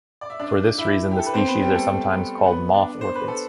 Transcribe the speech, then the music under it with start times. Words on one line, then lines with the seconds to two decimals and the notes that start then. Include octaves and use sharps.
For this reason, the species are sometimes called moth orchids.
0.21 D5
0.30 E5
0.40 D4 D5
0.78 E4 E5
1.11 G4
1.19 A4
1.26 B4
1.33 C4 C5
1.47 B3 B4
1.62 G3 G4
1.75 A3 A4
2.46 B3 B4
2.74 D4 D5
3.01 C5
3.15 B4
3.28 A4